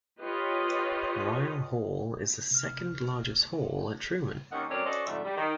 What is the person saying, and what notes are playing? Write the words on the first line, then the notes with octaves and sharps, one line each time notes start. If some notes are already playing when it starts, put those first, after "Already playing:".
Ryle Hall is the second largest hall at Truman.
F4 G4 B4 C#5 D#5
C3 F6
D#2 C4 C#4 D#4 A#4 F#5
F#2 A3 C4 A#4 C#5 D5
C#4 F#4 A4 C5 D5 D#5
F2 G#2 D3 G3 A3
G3
D#3